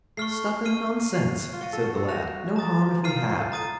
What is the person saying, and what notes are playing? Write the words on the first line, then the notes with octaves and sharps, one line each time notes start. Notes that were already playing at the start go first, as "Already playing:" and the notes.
'Stuff and nonsense!' said the lad; 'no harm if we have.'
A3 C#6 F6 C7
C#6 F6 C7 D#7
F#6 C7 F7
F4
F#4 C#6 A6 D#7
A4
F#4
A4
F#4 F#6 A#6 F7
A#5 D#6 A6
F4 F6 C7 D#7
D#4
F4
A4
A#5 D#6 A6 D#7